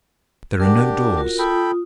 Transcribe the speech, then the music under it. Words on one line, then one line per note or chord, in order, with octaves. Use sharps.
There are no doors.
D4 G4 A#4 F#5
F4 F#4 A#4
F4 A4 G5 B5 D#6